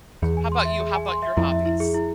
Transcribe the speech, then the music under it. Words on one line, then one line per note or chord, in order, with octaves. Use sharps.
How 'bout you? How 'bout your hobbies?
E2 G#4
G#5
C6
E5
G#4
G#5
C6
E5
F2 E4
E5
E4
G#4
E4